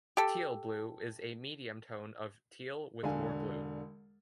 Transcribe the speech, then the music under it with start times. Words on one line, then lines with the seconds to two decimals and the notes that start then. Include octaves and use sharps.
Teal blue is a medium tone of teal with more blue.
0.17 G4 A4
3.03 E1 D3 F5 G#5